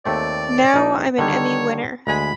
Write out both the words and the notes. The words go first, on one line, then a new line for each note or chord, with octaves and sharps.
Now I'm an Emmy winner.
D#2 A3 C4 D5
A#1 D#4
D3 D#3 G3 C#5
D2 G#3 G#5 B5